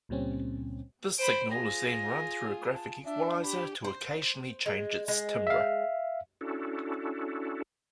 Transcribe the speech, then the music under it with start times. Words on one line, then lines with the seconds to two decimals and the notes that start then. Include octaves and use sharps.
This signal is then run through a graphic equaliser to occasionally change its timbre.
0.09 C#2 A#2 G3 C4 C#4
1.18 C5 B5 D7
1.51 F4 G#4 A#6
2.74 A5
3.05 D4 E5
3.43 G4 B5
3.85 C5
4.66 G#3
5.08 G#3
5.47 E5 F5
6.41 C#4 D4 E4 F#4 A4